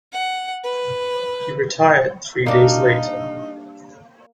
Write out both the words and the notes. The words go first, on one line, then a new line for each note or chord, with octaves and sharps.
He retired three days later.
F#5
B4
G3 A#3 D4 D#4